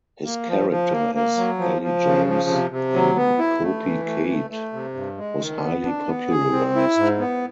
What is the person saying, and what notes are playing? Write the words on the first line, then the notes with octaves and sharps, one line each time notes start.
His character as "Ali James" in "Kopi Kade" was highly popularized.
A#3
F3
F3
A#3
A#3
F#3
F3
F3
C#3
F3
C3
C3
F#3
B3
E4
A3
E3
A3
A3
A3
C3
G2
G#3
D#3
B3
D4
B3
G#4
C4
E4
G#2
B3